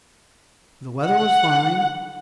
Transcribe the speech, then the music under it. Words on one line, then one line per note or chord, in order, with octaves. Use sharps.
The weather was fine.
F#5